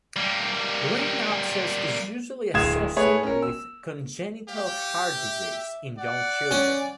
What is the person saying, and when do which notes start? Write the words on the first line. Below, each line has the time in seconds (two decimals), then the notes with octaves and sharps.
Brain abscess is usually associated with congenital heart disease in young children.
0.16 G3 A#3
2.54 D1 G#3 F5 D#6 G#6 E7
2.96 A3 G#4 B4 C#5
3.23 C#4 A#4
3.42 E6
4.49 G4 F5
5.14 E5
5.98 D5 F#5
6.51 C#4